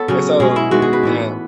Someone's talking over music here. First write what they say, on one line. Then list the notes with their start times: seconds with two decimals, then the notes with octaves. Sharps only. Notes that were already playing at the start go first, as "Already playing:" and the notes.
and so and,
Already playing: B3 A4 C#5
0.08 C#3 F#3 C#4
0.40 B2 G#3 C#4 G#4
0.56 E4
0.71 D#3 G#3 B3 F#4
0.82 G#4
0.93 B4
1.03 A2 E3 B3